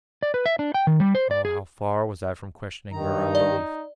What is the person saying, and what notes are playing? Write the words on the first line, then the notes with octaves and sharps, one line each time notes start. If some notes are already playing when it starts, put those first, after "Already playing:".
How far was I from questioning her unbelief!
D5
B4
E5
D4
G5
D#3
G3
C5
D5
G#4
G2 D#3 D#4 A#5
D5